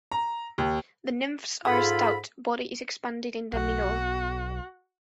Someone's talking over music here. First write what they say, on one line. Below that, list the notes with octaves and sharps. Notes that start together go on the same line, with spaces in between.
The nymphs are stout, body is expanded in the middle.
A#5
D#2
G#2 F4 G#4 A4 B5
B1 F#4